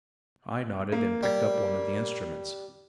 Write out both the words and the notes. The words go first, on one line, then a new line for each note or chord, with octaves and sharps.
I nodded, and picked up one of the instruments.
A#3
G3